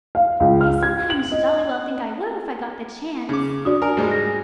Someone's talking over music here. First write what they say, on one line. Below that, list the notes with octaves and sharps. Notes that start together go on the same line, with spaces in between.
"I sometimes jolly well think I would if I got the chance."
F5
C#2
F6
G#6
F#7
D#5
C#3 D6
D4 F#4 D5 D#6
A#4 G#5
G#2 G3 G#3
A#6